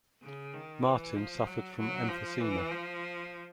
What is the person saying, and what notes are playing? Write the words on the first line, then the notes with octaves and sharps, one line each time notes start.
Martin suffered from emphysema.
C#3
D#3
E3
F3
F#3
F#3
F3
E3
F3